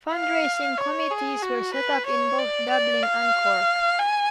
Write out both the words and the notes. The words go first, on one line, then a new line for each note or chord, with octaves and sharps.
Fundraising committees were set up in both Dublin and Cork.
F5
C#5
G#4
F#4
B4
C#5
D5
D5
F5
G#5